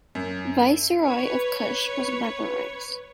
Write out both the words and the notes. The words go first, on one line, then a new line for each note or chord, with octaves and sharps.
Viceroy of Kush was Merimose.
F#2
B4 C#5